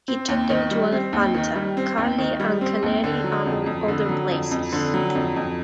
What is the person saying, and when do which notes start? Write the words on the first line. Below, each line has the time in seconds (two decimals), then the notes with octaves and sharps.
He took them to Elephanta, Karli and Kanheri among other places.
0.08 C4
0.28 D#2
0.50 D#3
0.71 G3
0.92 C4
1.13 D#2
1.34 D#3
1.56 G3
1.77 C4
1.98 D#2
2.18 D#3
2.40 G3
2.61 C4
2.82 D#2
3.04 D3
3.24 F#3
3.46 F2
3.66 F2
3.88 D3
4.09 F#3
4.31 F2
4.51 F2
4.73 D3
4.94 F#3
5.15 F2
5.36 F2